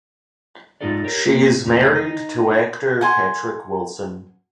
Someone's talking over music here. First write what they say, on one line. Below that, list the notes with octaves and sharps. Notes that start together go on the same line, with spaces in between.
She is married to actor Patrick Wilson.
G#2 D#3 D#4 F4 A4 D5
G4 A#4 C#5
A#3
E2 C#3 A3
D#4
F#5 G#5 C6